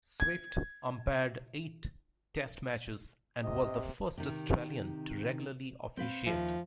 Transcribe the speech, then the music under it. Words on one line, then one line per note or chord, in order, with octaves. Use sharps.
Swift umpired eight Test matches, and was the first Australian to regularly officiate.
G#6
C3 D#5
C3 D#3
C4 B4 F5
D#2 F3 E5